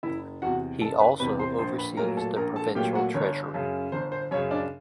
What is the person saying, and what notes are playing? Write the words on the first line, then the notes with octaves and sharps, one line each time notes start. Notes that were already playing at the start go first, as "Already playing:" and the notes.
He also oversees the Provincial Treasury.
F#1 E4 E5
E2 C3 F#4 F#5
F#1 A4 A5
B4 B5
E2 C3 B4 B5
C5 C6
A#1 C5 C6
B4 B5
A#2 F#3 A3 A#4 A#5
A4 A5
A#1 A#4 A#5
A4 A5
A#2 F#3 A3 G4 G5
F#4 F#5
G1 C#5
F#2 C#3
G1 C5
C5
F#2 C#3 C#5
D4 D5